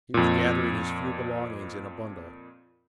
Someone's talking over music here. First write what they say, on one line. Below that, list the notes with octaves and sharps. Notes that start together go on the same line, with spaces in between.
He was gathering his few belongings in a bundle.
F2 A#2